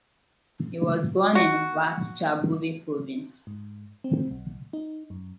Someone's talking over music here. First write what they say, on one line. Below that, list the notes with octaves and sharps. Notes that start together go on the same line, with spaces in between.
He was born in Ratchaburi Province.
F#4
G#2
C4
B1
D#4
F#2